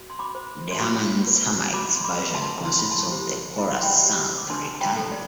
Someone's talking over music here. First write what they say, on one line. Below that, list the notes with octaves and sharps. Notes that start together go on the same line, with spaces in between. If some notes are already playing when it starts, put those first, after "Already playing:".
The Herman's Hermits version consists of the chorus sung three times.
Already playing: F#4
C6
B5 D6
C5
C6
F#4 B5 D6
B4
F#4 B5 D6
C6
B5 D6
B4
D6
A5 C6
E4 C6
B5
A5 C6
G4 C5
E4 B5
C6
G5 B5
G4 C5
E6
D6
D4 A5 C6
A5
G5 B5
A4 C5
D5